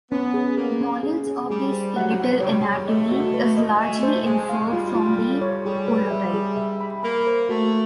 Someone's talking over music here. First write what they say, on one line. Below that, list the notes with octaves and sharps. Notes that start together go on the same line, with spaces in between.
Knowledge of the skeletal anatomy is largely inferred from the holotype.
B3 C#4
G#4
A#3 G#4
C#4
G#4
G#4
G3 G#4
C5
F#3 F#5
F#5
G3 C#5
G#4
A3 D#5
F#4
B4
D#5
A3 G#5
C5
G#3 G#5
F5
G3 F4
F4
A4
C#5
G3 G#4
B4
E5
G#4
E5
B5
A#3 B5
C5
A3 F#4